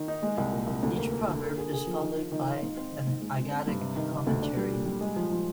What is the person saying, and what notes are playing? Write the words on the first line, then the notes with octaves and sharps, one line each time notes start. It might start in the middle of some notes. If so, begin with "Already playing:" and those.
Each proverb is followed by an Haggadic commentary.
Already playing: D#3
D#4
G#3
C2
A#2
C2
D2
A#3
A#3
D3
A#3
G#4
G#4
F3
D#3
D#3
D#3
F4
G#2
C4
D#3
G#2
G#3
C4
C4
G2
C3
D#3
D#3
D2
D4
G3
A#2
G3
G#3
F3
F3